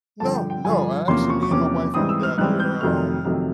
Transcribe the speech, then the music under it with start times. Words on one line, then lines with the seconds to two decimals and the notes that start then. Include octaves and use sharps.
No, no, actually, me and my wife moved out here, um
0.20 G2 D3 F3 A5
0.35 G5
0.50 G5
0.64 G2 D3 F3 G#5
1.08 E2 C3 F3 A#3 C#4 C6
1.30 C#6
1.43 C#6
1.51 E2 C3 F3 A#3 C#4 D6
1.94 G#2 E3 G3 C4 D#6
2.09 E6
2.23 F6
2.38 G#2 E3 G3 C4 F#6
2.60 G6
2.81 F2 C3 D#3 F#3 A3 F6
3.25 F2 C3 D#3 F#3 A3 F6